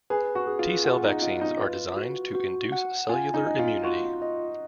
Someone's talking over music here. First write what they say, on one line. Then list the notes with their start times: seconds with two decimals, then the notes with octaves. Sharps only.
T-cell vaccines are designed to induce cellular immunity.
0.10 G#4 B4
0.35 F#4
0.47 G#4
0.59 F4
0.84 F4 F#5
1.04 D#4
1.22 F4 D#5
1.41 D#4
1.60 F4 B4
1.97 F#4
2.35 F#4
2.72 F#5
3.09 F4 G#5
3.34 D#4
3.47 D#5
3.59 F4
3.84 F4 F#4
4.22 D#5